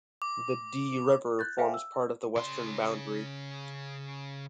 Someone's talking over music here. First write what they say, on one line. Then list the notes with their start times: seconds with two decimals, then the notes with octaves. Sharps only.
The "Dee River" forms part of the western boundary.
0.22 D6
1.39 F#6 G6 A6
1.57 A4 C5 E5 F5 G5 G#5
1.74 E6
2.36 C#3 C6